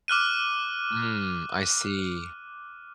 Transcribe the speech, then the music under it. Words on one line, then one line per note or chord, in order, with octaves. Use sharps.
Mm. I see.
D6 F6 F#6 D#7